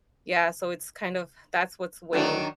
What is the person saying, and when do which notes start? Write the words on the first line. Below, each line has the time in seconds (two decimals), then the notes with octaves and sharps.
Yeah, so it's kind of that's what's weighing
2.13 D2 D#3 F#3 D4